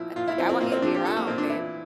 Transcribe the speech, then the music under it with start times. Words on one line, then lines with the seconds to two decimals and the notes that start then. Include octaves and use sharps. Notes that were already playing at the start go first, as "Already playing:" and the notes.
Uh like, "I want you to be around, babe."
Already playing: A#2 F3 E4
0.16 A#2 F4
0.28 E4
0.38 F3 C4
0.49 C4
0.61 A#2 A#3
0.72 C4
0.82 F3 D4
0.94 G4
1.05 F3 A4
1.17 A#3
1.27 A#2 C4
1.38 D4
1.49 E3 E4